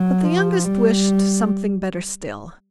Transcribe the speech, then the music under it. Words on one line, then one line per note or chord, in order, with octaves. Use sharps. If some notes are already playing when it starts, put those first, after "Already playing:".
But the youngest wished something better still.
Already playing: F#3
F3
G3